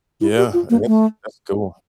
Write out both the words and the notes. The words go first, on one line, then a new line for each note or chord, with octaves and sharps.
Yeah, that's that's cool.
E4
G4
F4
A#3
A3